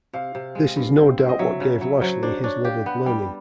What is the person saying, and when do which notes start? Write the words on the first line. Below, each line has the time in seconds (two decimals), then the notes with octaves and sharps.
This is no doubt what gave Lashley his love of learning.
0.13 C3 F5
0.35 C3
0.55 G#3
0.76 G2
0.97 C4
1.18 C4
1.29 D#5
1.39 F#3 E5
1.60 C#3
1.81 F#3
2.01 F#3 C5
2.22 D4 C5
2.44 D4 C#5
2.65 G4 F5
2.86 B3 F#5
3.06 G3 G5